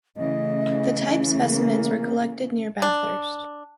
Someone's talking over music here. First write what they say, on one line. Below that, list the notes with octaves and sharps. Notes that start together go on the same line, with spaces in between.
The type specimens were collected near Bathurst.
C#3 E3 A3 D#5
A#3
D4